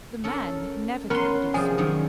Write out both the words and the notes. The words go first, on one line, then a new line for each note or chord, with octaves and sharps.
The man never can do so.
C#4 A4 A#4
B3 C#4 A#4 B4 C6
C3 F3 G3 G#4
F#2 D#3